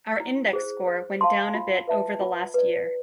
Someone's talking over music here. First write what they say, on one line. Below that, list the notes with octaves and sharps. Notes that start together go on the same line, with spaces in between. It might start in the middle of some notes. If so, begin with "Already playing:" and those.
Our Index score went down a bit over the last year.
E4
G#4 C5
C5
F5 A5 C6
F4
B4 E5 A5
F4
B4 D5